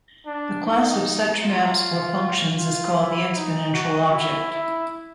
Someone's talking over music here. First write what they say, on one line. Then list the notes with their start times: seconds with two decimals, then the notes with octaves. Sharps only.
The class of such maps or functions is called the exponential object.
0.26 D4
0.65 D#4
1.42 F4
2.58 F4
2.97 E4
3.35 D#4
3.74 F#4
4.12 E4
4.51 E4